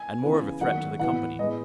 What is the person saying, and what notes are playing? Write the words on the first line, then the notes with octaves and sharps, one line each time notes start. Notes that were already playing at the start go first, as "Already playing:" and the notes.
And more of a threat to the Company.
Already playing: G#5
C#3 E3 B3
D#3 F#3 A3 F#5
A2 E3 B3 F#5
A2 G#3 B3 D#5